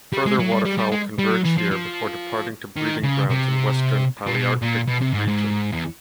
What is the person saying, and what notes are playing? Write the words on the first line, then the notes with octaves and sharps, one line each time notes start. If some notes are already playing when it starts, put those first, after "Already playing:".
Further waterfowl converge here before departing to breeding grounds in western Palearctic region.
G3
G#3
F#3
G3
G3
G3
G#3
G3
F#3
E3
F3
F3
D#3
C#3
C3
A#2
B2
A#2
B2
C3
G#2
G#2
E2